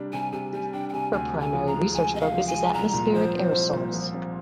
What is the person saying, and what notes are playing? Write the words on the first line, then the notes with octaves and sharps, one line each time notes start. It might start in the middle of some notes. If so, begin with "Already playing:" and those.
Her primary research focus is atmospheric aerosols.
Already playing: C3 G3 D4
C3 G#5
C3 G#5
G3 G#5
D4 G5
G5
C3 G#5
D2 G#5
C3
G#5
F3
A#5
G#3
D2 G#5
C3 D#5
F5
F3
G#5
G#3
C2 A#5
A#2
F3 C5
C4
C2
A#2
F3
C4